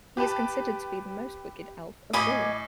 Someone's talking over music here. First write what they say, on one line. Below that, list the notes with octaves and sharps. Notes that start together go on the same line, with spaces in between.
He is considered to be the most wicked elf of all.
G4 B4 A5
A2 D#5 G#5 B5 D6